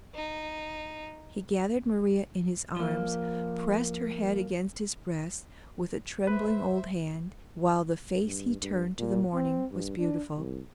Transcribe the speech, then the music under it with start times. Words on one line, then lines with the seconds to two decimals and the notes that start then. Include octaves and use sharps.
He gathered Maria in his arms, pressed her head against his breast with a trembling old hand, while the face he turned to the morning was beautiful.
0.15 D#4
2.77 F3 A#3
6.27 B4 C5 E5
8.24 G2
8.61 G2
8.98 A#2
9.34 C4
9.71 G2
9.99 D4
10.37 C2